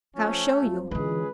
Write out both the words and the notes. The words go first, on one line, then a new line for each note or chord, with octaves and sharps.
I'll show you.
F3 A3 C#4
F2 F3
C#2 D3 E3 G#3 G#4 B4